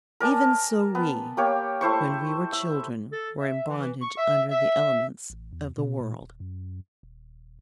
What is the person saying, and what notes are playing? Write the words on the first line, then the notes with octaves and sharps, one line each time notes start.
Even so we, when we were children, were in bondage under the elements of the world.
A#4 D5 G#5 A5
B3
A#3 G4 C#5
A3 E4 C5 C#6
E5
A4
E5
E3
C#6
E5
E5
A1
E2
B2
A#2
D#1
F#2
D#1